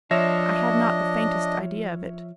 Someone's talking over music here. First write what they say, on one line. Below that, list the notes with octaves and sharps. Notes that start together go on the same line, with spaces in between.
"I had not the faintest idea of it."
F3 D4 C#5 D#5 E5 A#6